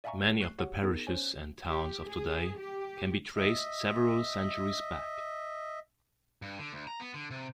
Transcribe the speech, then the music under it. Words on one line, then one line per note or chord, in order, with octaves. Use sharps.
Many of the parishes and towns of today can be traced several centuries back.
D5 E5 F5 G#5 A#5 C#6
C#6 F#6 C7
F#4 G4 C#5 F#5
B3 D#4 G#4 A#4
C#4 C5 C#5 G#5
G4
G#4
G4
D#5 E5
G2
D3
D2
A#5
B3
D3
C3